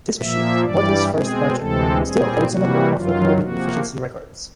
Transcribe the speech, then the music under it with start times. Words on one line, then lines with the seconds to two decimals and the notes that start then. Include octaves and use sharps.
This machine, Porta's first project, still holds a number of locomotive efficiency records.
0.19 A#2 F3 A#3 E5
0.64 G2 E3 G3 D5
1.11 B2 G#3 C4 G#4
1.56 D2 C3 E3 G#3 C4 A4
2.02 A#2 G3 C4 G#4
2.47 C3 E3 G3 A#3 F#4
2.93 F#2 D#3 F#3 F4
3.39 C3 F3 A#3 F#4